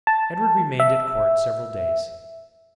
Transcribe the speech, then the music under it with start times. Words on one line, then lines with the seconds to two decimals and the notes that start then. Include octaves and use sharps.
Edward remained at court several days.
0.07 A5
0.80 E5